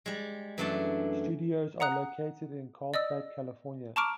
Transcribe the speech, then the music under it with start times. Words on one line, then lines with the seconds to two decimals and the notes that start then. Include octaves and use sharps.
Studios are located in Carlsbad, California.
0.06 G3 G#3
0.58 F#2 E3 A3 D4 E5 A5
1.80 F#5 A#5 D#6 F#6
2.94 D5 D#5 D#6 E6
3.96 A5 A#5 C#6 D6 F6 D7